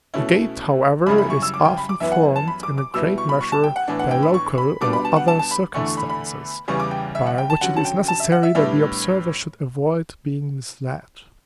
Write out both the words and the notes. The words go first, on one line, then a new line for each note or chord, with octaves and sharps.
The gait, however, is often formed, in a great measure, by local or other circumstances, by which it is necessary that the observer should avoid being misled.
B2 A3 C#4 E4
F#2 C#3 G3 C#4 E4 B5
B5
C#6
E6
D6
G5
B5
D6
F#2 E3 B3 E4 E5
F#5
A5
B5
D6
D6
B2 G3 B3 E4 E6
C#6
B5
C#6
A5
G5
F#5
A2 E3 B3 D4
F#5
G5
B5
C#6
B5
B2 G3 B3 D4 D6
B5
A5
F#5
A5
A5
B5
E2 D3 A3 E4 C#6
C#6
B5
B5
E2 C#3 E3 G3 C#6
D6
G5
E5
F#5
G5
A5
D3 F#3 C#4 F#5
A5
G5
A5
E5
F#5
E5
A2 G3 B3 D4 E5